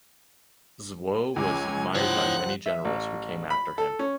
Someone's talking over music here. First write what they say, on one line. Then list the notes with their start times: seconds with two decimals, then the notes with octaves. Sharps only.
Zuo was admired by many generals who came after him.
1.36 C#2 C#4 G#5 D6
1.95 F3 D4 C5 C#5 F#5 G5 F#6
2.66 E5
2.85 A1
3.50 B5
3.78 A4
3.99 C#4